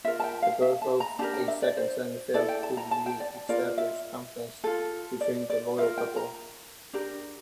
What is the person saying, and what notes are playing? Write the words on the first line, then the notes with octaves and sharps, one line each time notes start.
The birth of a second son failed to re-establish confidence between the royal couple.
F4 A#4 E5
A5
G5
F5
E5
A5
A#5
D4 G4 A#4 A5
G5
E5
D5
C5
E4 A4 D5
G5
A5
A#5
A5
G5
D5
F4 A#4 D5
E5
F4 A4
D5
D5
F4 A#4 E5
G5
A#5
D4 G4 A#4